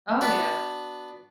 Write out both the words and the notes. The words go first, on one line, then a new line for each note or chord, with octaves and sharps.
Oh, yeah.
B3 D4 F#4